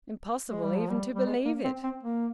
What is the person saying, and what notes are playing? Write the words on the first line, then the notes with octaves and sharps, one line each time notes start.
Impossible even to believe it!
G#3
G3
F3
G3
G3
G#3
A#3
C4
C4
A#3